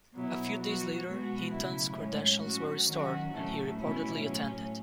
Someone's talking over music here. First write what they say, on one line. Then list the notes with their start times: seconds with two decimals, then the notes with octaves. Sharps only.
A few days later, Hinton's credentials were restored, and he reportedly attended.
0.14 B2 F#3 B3 E4
0.58 F#3 B3 F#4
1.04 B2 G#3 B3 F#4
1.50 C#3 F#3 A3 E4
1.95 A2 G#3 C#4
2.41 F#3 C#4 F#4
2.87 D#3 F#3 C#4 F#4
3.33 A2 F#3 A3 C#4
3.79 B2 A3 C#4 E4
4.24 A2 F#3 C#4